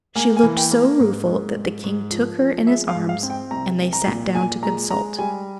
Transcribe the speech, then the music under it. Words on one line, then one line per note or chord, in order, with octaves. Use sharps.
She looked so rueful that the king took her in his arms; and they sat down to consult.
A#3 G#5
G#5
E3
G5
A#3
G#2
G#2
G#2
G#2
F3
F3
G#3 E5
F5
G#2
F5
C4
G5
C2 A#5
C2
A#5
A#2
A#2 G#5
G#3 A#5
G#3 A#5
G3 G#5